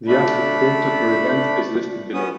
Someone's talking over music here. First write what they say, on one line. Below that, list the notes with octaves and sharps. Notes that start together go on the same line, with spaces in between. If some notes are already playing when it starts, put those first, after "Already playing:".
The athlete quota per event is listed below.
A3 D4 B5
B3 C#4 D#6